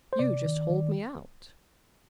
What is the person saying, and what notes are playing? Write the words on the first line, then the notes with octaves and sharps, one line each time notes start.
"You just hauled me out."
C5
C3 D5
D#3
D#3